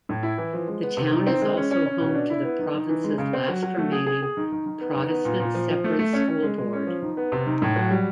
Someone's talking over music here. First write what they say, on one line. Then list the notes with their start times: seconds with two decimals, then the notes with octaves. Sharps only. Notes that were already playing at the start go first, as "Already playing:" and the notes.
The town is also home to the province's last remaining Protestant Separate school board.
0.09 A2
0.23 E4
0.38 E3
0.53 F3
0.68 G#3
0.83 B3
0.97 C3
1.12 D#3
1.27 C4
1.41 G#3
1.57 C#4
1.71 C#4
1.86 C#4
2.00 B2
2.15 D4
2.30 E4
2.44 B3
2.59 D#3
2.74 D#3
2.89 E3
3.04 G#3
3.18 C#3
3.33 C4
3.48 F#3
3.62 F#3
3.78 A3
3.92 G#4
4.06 G#4
4.22 G#4
4.37 D#3
4.52 D#3
4.66 D#3
4.81 B3
4.96 D#3
5.10 B3
5.25 A#2
5.40 A#2
5.54 F3
5.70 F3
5.84 A3
5.99 A3
6.13 C#4
6.28 C#4
6.43 G#3
6.58 G#3
6.73 C#4
6.87 F3
7.02 D#3
7.17 B3
7.32 C3
7.46 D#3
7.62 A2
7.76 F#3
7.91 G3